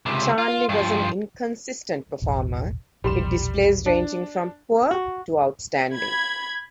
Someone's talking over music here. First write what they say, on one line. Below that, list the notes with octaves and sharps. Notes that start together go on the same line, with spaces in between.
Charnley was an inconsistent performer with displays ranging from poor to outstanding.
C#2 C3
F4
G2 F3
E1 A1
E1 A#1 G3 C6 E7
D4
F#4
B5 G#6